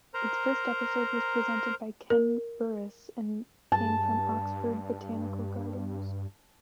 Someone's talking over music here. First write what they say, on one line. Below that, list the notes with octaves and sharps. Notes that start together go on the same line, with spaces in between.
Its first episode was presented by Ken Burras and came from Oxford Botanical Gardens.
A#4 C5 A#5
A#4
G2 A5